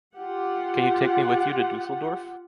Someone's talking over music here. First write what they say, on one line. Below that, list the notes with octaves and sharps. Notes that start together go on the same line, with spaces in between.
Can you take me with you to Düsseldorf?
F4 G4 F#5